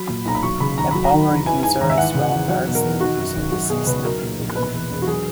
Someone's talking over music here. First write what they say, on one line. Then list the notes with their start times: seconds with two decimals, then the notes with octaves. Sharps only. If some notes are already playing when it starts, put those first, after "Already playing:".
A power user is well versed in using a system.
Already playing: F#3 B5
0.09 A#2
0.25 B1 A#5
0.35 B5
0.43 F#3 C#6
0.60 C#3 B5
0.77 D#2 A#5
0.91 F#3 B5
1.04 A#5
1.12 D#3
1.29 E2
1.46 E3 G#5
1.63 G#2 G#5
1.80 G#1 A#5
1.90 E5
1.97 E3 F#5
2.15 C#3
2.32 E2
2.49 F#3 F#5
2.67 B2
2.75 A#4
2.84 E2
3.01 D#3 F#4
3.18 F#2
3.35 G#1
3.52 F#3 F#4
3.70 B2 G#4
3.87 C#2 B4
4.04 F#3 A#4
4.21 A#2
4.39 A#1
4.55 B2 B4
4.73 E2
4.91 E1
5.02 F#4
5.07 F#3 G#4